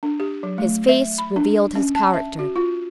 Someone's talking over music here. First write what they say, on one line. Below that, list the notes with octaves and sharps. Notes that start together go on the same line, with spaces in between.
His face revealed his character.
D4
G4
F#3
A3
E5
B5
D4
C#4
A5
E5
F#4
F4